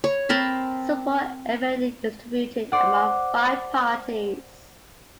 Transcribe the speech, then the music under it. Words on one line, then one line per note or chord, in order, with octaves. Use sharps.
Support evenly distributed among five parties.
C#5
C4 A#4 A5 B5
C5 D5 F#5